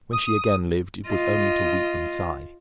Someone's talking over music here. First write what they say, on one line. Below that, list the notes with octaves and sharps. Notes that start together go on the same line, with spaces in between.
When she again lived, it was only to weep and sigh.
D#6
F4 D#5